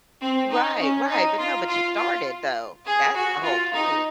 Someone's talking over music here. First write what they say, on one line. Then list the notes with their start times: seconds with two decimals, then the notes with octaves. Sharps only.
Right. Right. But no. But you started, though. That's the whole point.
0.21 C4
0.50 D#4
0.79 C#4
1.09 D#4
1.38 F4
1.68 F4
1.97 F4
2.85 G#4
3.15 F#4
3.43 F4
3.72 D#4